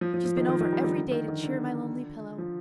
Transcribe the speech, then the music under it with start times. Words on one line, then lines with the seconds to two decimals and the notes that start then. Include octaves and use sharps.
She's been over every day to cheer my lonely pillow.
0.01 F3
0.14 F3
0.25 F3
0.37 D#3
0.49 D#3
0.61 D#3
0.73 G3
0.84 D#3
0.96 D3
1.12 D#3
1.28 D#3
1.44 D3
2.38 F3